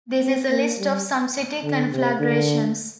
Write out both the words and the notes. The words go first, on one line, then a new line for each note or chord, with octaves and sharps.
This is a list of some city conflagrations.
C4
A#3
G3
D3
C3
D3